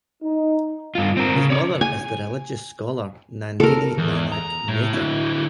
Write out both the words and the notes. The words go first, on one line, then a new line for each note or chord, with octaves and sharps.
His mother is the religious scholar Nandini Nanak Mehta.
D#4
G2 F4
C4 A#4
C#3
C#5 D5
G#5
A4 A#4
E2
A#5
A2
D3 E4